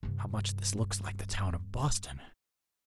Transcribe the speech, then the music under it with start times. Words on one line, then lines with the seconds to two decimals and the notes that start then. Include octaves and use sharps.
How much this looks like the town of Boston!
0.03 G2 C3